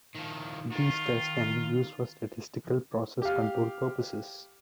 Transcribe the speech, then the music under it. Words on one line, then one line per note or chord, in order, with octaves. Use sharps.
These tests can be used for statistical process control purposes.
D#3 F3
D#3 F4
G4 F5